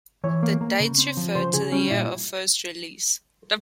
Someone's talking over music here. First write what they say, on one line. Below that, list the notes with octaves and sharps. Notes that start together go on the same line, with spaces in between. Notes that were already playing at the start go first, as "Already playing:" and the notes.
The dates refer to the year of first release.
E3 C#5
A#3
A#3
C#3
C4
F3
C#3 C5
C#3 G#4
G3 C#4
A#2 E4